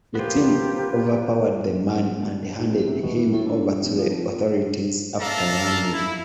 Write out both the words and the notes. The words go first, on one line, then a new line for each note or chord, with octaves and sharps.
The team overpowered the man and handed him over to the authorities after landing.
B3 F4 G4 A#4 C5
G#2
A1
C3
B2
E3
A2
D3
G2
F1
F3
F2
A#2
D4 A4 E5 F5 A#5
E4